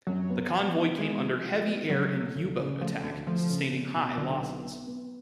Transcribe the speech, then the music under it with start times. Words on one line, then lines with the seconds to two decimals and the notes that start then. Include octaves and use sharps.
The convoy came under heavy air and U-boat attack, sustaining high losses.
0.07 F#2 F#3
0.30 B3
0.53 B3
0.76 B3
0.99 G#3 B3
1.22 F3
1.44 F3
1.66 B3
1.90 C#3 F#3
2.13 A3
2.35 D2
2.59 C#3
2.81 F3 A3
3.03 D2 D3
3.27 F3 A3
3.50 C#3
3.72 B2
3.95 B2
4.17 B1 D3
4.41 B3
4.64 B3
4.87 B3